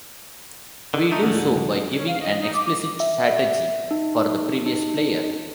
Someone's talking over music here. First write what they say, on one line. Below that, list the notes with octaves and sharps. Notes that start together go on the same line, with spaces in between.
We do so by giving an explicit strategy for the previous player.
D3 D#3
A3 D#4
D2 G#2 D3 A3 C#4
G1 C#3 G3
C#4
F5
D#5
D#4
D6
E5
D#4
D#4